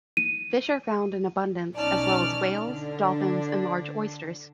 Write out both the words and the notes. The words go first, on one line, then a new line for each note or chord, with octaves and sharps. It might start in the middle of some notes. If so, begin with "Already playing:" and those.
Fish are found in abundance, as well as whales, dolphins and large oysters.
D#7
B1 C#4 D#4 D5 A5 F6
D3 D4